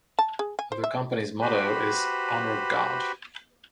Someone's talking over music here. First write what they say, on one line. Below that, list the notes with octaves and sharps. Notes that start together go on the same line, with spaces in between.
The Company's motto is "Honour God".
A5
G#4
G#5
C5
E5
F#4 G4 B4 C5 B5